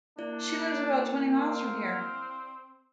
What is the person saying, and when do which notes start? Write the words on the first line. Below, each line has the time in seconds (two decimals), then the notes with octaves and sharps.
She lives about twenty miles from here.
0.19 A#3 D4 E4 D5
1.39 C4 F5